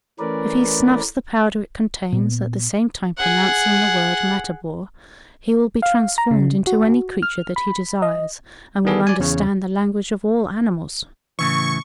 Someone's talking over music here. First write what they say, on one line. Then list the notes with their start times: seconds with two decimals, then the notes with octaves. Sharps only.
If he snuffs the powder it contains, at the same time pronouncing the word 'Matabor,' he will be transformed into any creature that he desires, and will understand the language of all animals.
0.19 E3 A3 C#4 A#4 B4 D5
2.12 A#2 B3
3.17 G#4 F#5
5.82 F5
6.18 A#5
6.31 C#3
6.67 F#4
7.23 F6
7.56 B5
8.02 D#5
8.85 D#3 E3 B3 G#4 A4
9.07 D5 G#5
9.20 E2 C#3 C#5
11.39 A2 C#3 E3 C#6